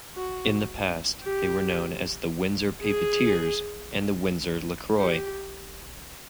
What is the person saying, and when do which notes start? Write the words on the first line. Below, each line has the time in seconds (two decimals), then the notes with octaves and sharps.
In the past, they were known as the Windsor Papetiers and the Windsor Lacroix.
0.15 F#4
1.22 G4
2.83 G#4
4.97 G4